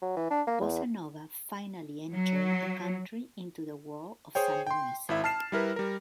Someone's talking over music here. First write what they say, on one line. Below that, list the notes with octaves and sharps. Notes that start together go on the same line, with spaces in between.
Bossa nova finally entered the country into the world of samba music.
F#3
E3
D4
A#3
E2
F#3
G#4 C5 C#5 G5
G5 C6
G#1 E4 E5
A5 F6 C7 E7
G3 E4 A#4 B4
G3 A#4